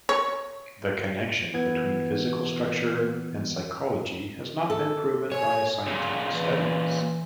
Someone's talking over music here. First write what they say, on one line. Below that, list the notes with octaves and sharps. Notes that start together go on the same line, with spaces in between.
The connection between physical structure and psychology has not been proven by scientific studies.
C#5
E3 B3 G#6
A4
C#5 G#5
A#2 C#3
E3